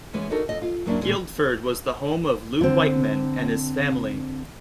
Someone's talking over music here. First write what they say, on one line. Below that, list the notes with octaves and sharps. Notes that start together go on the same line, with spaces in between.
Guildford was the home of Lew Whiteman and his family.
E3 G#3 B3 C#4
D4 D#4 F#4 A4 A#4
F2 A4 D#5
F4
F#2 F#3 A#3 C#4 D4 E4
A#2 D#3 F3 G3 G#3
D3 C4